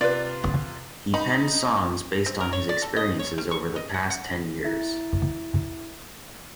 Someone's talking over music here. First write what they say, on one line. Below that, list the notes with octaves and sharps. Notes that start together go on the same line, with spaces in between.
He penned songs based on his experiences over the past ten years.
C3 F4 B4 D5
D#4 B5
C4
A#4
C#5
D5
A4
D#5
C#5
G3
C#6
D#5
F#5
F#5
E4 E5 A6